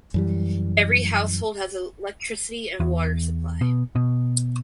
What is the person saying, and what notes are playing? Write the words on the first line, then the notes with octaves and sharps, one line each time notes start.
Every household has electricity and water supply.
F#2 E3 G3
E2
B2
B2